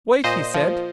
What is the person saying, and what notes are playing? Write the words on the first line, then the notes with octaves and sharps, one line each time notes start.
"Wait!" he said.
A#2 C5 D#5
F3